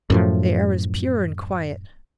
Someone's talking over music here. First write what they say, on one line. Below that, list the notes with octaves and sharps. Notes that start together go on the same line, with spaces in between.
The air was pure and quiet.
F#2 A2 F3